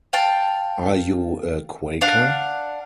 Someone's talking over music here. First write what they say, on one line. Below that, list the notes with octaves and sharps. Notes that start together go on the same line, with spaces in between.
Are you a Quaker?
F5 G5 A5
D4 F5 F#5